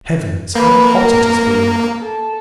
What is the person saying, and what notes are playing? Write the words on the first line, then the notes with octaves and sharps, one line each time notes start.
'Heavens! how hot it has been.
A#3 B4
A#4
A4